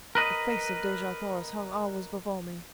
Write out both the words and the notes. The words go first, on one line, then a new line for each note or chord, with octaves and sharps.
The face of Dejah Thoris hung always before me.
A#4 B4 D#5